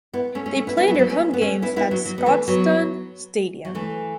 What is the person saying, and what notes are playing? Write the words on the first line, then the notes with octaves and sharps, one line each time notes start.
They play their home games at Scotstoun Stadium.
B3 E4
A3 C#4
A3 C#4
A3 C#4
B3 E4
B3 E4
F#3 B3
A3
F#3 B3
A3 C#4
B3
A3 C#4
B3 E4
B3 E4
F#3
F#3
B3
E3 A3
F#3 B3
F#3
E3 A3